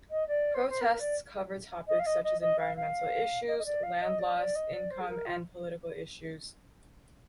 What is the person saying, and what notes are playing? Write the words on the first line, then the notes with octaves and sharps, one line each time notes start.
Protests cover topics such as environmental issues, land loss, income, and political issues.
D#5
D5
C5
C5
A#4
D5
D#5
F5
D#5
D#5
D#5
F5
F5
D#5
D#5
D5
F5
D#5
D5
D5
D#5
D5
C5
G#4
A#4
F4